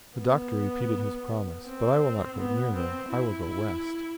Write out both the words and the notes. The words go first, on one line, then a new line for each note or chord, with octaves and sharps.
The Doctor repeated his promise, "But I will not go near them; I will go west."
B3
C4
B3
C4
E4